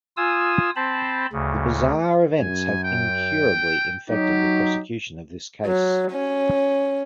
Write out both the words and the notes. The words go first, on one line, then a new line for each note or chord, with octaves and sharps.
The bizarre events have incurably infected the prosecution of this case.
F4 G#5 D#6 E6
C4 C5 A5 B5
D2 C#3
F#2 G#5
G5
F#3 D#4 G4
F#3
C#4